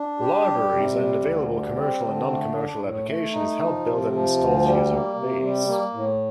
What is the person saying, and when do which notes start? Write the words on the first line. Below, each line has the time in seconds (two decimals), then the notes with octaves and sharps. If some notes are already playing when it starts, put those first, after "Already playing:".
Libraries and available commercial and non-commercial applications help build an installed user base.
Already playing: D4
0.19 G4
0.46 G3
0.72 C3
0.98 G3
1.25 D2
1.50 G3
1.77 C4
2.03 D3
2.29 A3
2.55 D4
2.81 A2
3.07 A3
3.33 D#4
3.60 F3
3.86 C3
4.12 F3
4.37 D2
4.64 G3
4.90 A#3
5.16 C3
5.42 G3
5.68 A#3
5.94 A2